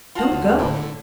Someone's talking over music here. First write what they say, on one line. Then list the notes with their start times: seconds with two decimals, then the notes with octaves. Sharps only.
Don't go.
0.15 F4 F#4 A5
0.32 D2
0.58 A2 D3